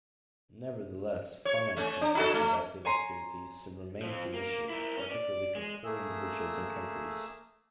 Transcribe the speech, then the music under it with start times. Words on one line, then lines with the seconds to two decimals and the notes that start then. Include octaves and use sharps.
Nevertheless, financing such adaptive activities remains an issue, particularly for poor individuals and countries.
1.45 C#5
1.77 A3 C#4
2.01 D4
2.15 D#4 F#4 A4
2.34 A3
2.85 C#5 G#5 A#5 C6
4.02 F3 C4
4.34 A#3
4.69 E4 A#4
4.97 C#4
5.10 D5
5.55 G#3
5.84 A3 A#3 G#4 E6